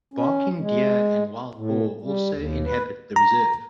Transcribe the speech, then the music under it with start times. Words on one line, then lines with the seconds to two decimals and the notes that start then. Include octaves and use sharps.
Barking deer and wild boar also inhabit the reserve.
0.14 C#4
0.59 G#3
1.54 A2
2.02 G3
2.32 D#2
2.65 B4
3.16 A#5